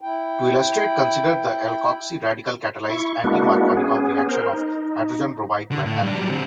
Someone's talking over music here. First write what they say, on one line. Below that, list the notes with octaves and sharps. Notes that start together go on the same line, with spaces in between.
To illustrate, consider the alkoxy radical-catalyzed, anti-Markovnikov reaction of hydrogen bromide to an alkene.
E4 G5
E4 C#6
G#3 A#3 B3 D4 E4 F#4
B3 C#4 G#4
A#4 C5
D#4
D3
A2
G2 D4
F#3 G3
D3 C4